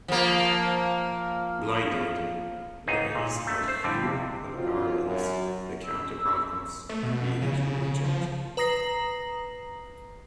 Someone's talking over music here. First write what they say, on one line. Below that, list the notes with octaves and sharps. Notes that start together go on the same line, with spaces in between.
Blinded, Louis had Hugh of Arles, the Count of Provence, be his regent.
F3 A#3
C#2 G#2 D#4 G#4
A#2
A3
C5
F2 D3 G3 C4
C3
F2 F#3 C4 D#4 F4
F#2
E6
A3
B2
C#3
F3
B4 A#5 D#6 A#6 C7 F#7